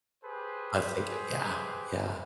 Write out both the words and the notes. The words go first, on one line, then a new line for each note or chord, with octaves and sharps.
I think it yeah, yeah.
G4 G#4 B4 C5